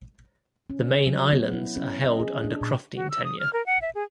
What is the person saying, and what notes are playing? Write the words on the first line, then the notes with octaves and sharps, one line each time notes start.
The main islands are held under crofting tenure.
C#4
F#3
B3
E4
C#4
D#5
G#4
D4
A#2
F#4
E6
D#6
F6
A#4
F#5
E5
G#4